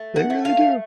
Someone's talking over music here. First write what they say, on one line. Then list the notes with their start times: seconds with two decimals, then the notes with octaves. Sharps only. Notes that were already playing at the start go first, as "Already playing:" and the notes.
they really do.
Already playing: A3
0.16 F#5
0.30 A3
0.45 F5